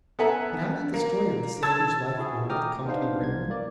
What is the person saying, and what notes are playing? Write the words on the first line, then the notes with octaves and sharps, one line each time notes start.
But how did the story of the Saviour's life on earth come to be written?
B3 A4 E5 F#5 G#5 A#5
A#3
A5 E6 G#6 A6
E4 F#4 G#4
A3 G5 A#5 D6 D#6 F6
B3 D4 D#4 C5 F5
C2 G#6
A#3 D5